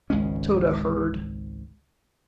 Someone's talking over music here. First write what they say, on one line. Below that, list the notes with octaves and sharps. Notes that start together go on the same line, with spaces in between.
Tode heard.
G#1 C#2 G#3 C#4